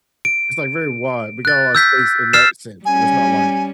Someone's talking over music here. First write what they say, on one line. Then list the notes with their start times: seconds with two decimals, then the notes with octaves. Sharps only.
It's like very wide, we got a lot of space in that sense, but it's not like
0.25 D7
1.45 F#6 A6
1.75 E6 G6 B6
2.33 E6 F6 A6 C7 E7
2.85 G3 C#4 G#5